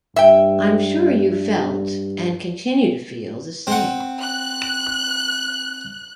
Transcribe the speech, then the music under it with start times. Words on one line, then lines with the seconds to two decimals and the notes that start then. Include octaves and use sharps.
I'm sure you felt and continue to feel the same.
0.16 G2 E5 G5
3.67 C4 F#5
4.21 F#6